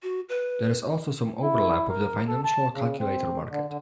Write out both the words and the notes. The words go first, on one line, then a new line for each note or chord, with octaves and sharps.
There is also some overlap with the financial calculator market.
F#4
B4
E4
A#4
A4
A5
C#3
C4
D3
D3